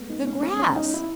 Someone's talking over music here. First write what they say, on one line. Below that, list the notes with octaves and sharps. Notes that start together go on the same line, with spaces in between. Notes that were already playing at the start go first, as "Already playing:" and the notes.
"The grass."
Already playing: G#3 A3 B3
D#4
C#4
C#4
C#4
D#4
E4